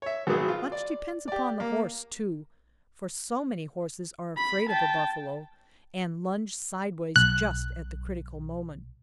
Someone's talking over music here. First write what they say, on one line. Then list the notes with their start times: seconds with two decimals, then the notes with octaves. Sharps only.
Much depends upon the horse, too, for so many horses are afraid of a buffalo, and lunge sideways just at the critical moment.
0.02 C#5 E5
0.27 G#1 B2 F#3 B3 G#4
0.48 F4
0.72 D5
1.28 G4 D5
1.60 A#3
4.38 B5
4.69 G5 A5
7.16 B1 F#6